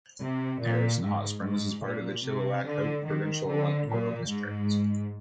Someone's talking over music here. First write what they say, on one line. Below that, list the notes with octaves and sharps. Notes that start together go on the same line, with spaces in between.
Harrison Hot Springs is part of the Chilliwack-Hope provincial electoral district.
C3
A#2
G#2
G#2
A#2
C3
D3
D#3
D3
A#2
G#2